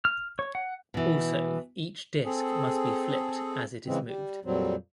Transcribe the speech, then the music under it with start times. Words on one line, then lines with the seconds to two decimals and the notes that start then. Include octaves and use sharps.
Also each disk must be flipped as it is moved.
0.05 F6
0.39 C#5
0.55 F#5
0.94 B2 E3
2.25 C4 G#4 A4
3.86 C#3 E3 G#3 C4
4.05 G3
4.45 F2 A#2 F#3 G3 C4